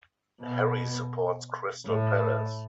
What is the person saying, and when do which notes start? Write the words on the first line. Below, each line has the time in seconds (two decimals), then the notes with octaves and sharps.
Harry supports Crystal Palace.
0.41 B2
1.86 A2